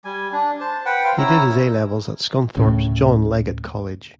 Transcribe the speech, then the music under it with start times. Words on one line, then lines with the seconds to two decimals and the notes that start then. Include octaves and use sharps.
He did his A levels at Scunthorpe's John Leggott College.
0.05 G3 G#5
0.32 D4
0.60 C5 A5
0.85 B4 F#5 G5
1.04 C5 F5 G5
1.18 C#4 E4 A#5 E6
2.57 D2 A2 C#3